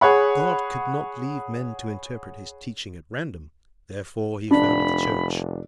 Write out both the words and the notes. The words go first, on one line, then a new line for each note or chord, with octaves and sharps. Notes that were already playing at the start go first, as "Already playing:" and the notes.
God could not leave men to interpret his teaching at random--therefore he founded the Church.
G#4 C#5 F#5 B5
F1 D4 B5